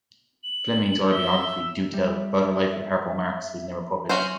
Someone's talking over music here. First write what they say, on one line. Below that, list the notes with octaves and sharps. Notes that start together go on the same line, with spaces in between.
Fleming's autobiography, "Do Tell", about her life with Harpo Marx, was never published.
F#7
E5 G7
G3 E5
F#3 C#4 F#4 C5 E5